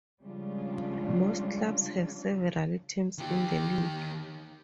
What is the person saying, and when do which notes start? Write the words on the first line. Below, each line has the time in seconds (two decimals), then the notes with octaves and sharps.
Most clubs have several teams in the league.
0.21 C#3 F3 G3 G#3 D4 F4
3.18 D#3 G4